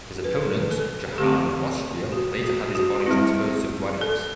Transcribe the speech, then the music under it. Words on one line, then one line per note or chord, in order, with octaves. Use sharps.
His opponent, Johann of Austria, later had his body transferred to Guadix.
B4
A4
D3 A3 C4 G4
F#4
F#4
F#4
G3 C4 E4
A4